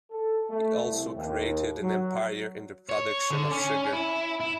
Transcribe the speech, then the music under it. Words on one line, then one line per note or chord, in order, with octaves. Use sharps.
He also created an empire in the production of sugar.
A4
A3
C2
D#2
F#3
C#5
D3
C#4
E4
E4